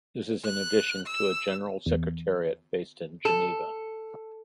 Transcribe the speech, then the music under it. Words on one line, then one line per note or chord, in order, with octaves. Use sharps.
This is in addition to a General Secretariat based in Geneva.
F#6
E6
E2
A4